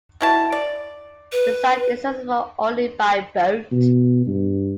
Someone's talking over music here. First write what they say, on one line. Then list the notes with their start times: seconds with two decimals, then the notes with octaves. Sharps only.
The site is accessible only by boat.
0.21 B2 E4 A5
0.52 D5
1.32 B4
3.72 B2
4.27 G2